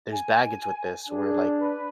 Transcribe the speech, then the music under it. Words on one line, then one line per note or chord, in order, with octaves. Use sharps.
there's baggage with this where, like,
G#5
D4 G#4
B4